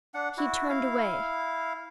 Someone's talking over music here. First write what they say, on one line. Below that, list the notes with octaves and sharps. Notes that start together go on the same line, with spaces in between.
He turned away.
D4 F#5
E4 F#4
E4 F5